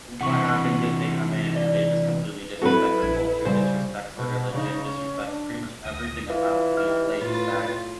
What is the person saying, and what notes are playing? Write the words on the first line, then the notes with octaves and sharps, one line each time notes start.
what happens if they come in and they just completely disrespect their culture, disrespects their religion, disrespects pretty much everything about the place that,
C3 E3 F#5 C#6
D5
F#3 C4 E4 F#4 A4 B4
A#1 G#6
C#3 G3 C5
B2
C#3 D#4
C#4
D4
D2 D#6 A#6
E3 F4 F5
D#4 G4 F6
A2 F4 B4 A6